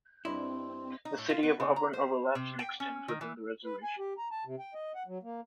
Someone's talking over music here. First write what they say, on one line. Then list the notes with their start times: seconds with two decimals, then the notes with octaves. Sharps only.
The city of Auburn overlaps and extends within the reservation.
0.25 G2 C4 D4 E4 D#5 C6
1.05 D#4
1.18 A2
1.30 F4
1.43 B3
1.60 C#3
1.76 A#5
1.93 C5
2.35 C3
2.59 G5
2.80 C#4
3.08 D#3
3.21 E3
3.65 B4
3.83 G#5
3.99 G4
4.18 A#5
4.31 A5
4.45 C3
4.59 G5
4.74 D#5
4.95 F#5
5.07 F#3
5.23 A#3